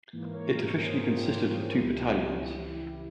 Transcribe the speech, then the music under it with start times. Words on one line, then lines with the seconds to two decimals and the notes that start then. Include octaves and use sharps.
It officially consisted of two battalions.
0.13 G#2 E3 A#3
0.33 A#4 C#5
0.53 A#4 C#5
0.74 G#4 C5
0.94 F4 G#4
1.16 G4 A#4
1.36 F4 G#4
1.56 C#4
1.76 C#2 C#3 E3 E4 G4